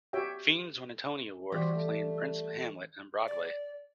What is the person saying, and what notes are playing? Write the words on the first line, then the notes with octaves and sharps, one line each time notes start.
Fiennes won a Tony Award for playing Prince Hamlet on Broadway.
F#4 G4 C#5 E5 G5
E3 G3 C4 F4 F#4
A3
D5